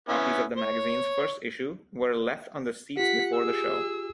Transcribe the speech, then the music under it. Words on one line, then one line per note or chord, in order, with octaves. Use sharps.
Copies of the magazine's first issue were left on the seats before the show.
B3 C#4 E4
C#5
F4 G4 F#5 B6
G#4 E6